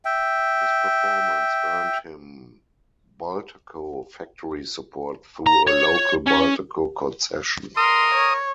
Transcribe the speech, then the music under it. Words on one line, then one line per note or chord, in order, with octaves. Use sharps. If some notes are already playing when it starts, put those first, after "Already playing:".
His performance earned him Bultaco factory support through a local Bultaco concession.
E5 G5
A#5
C#5
C#4
A#4 C6 D#6
C#5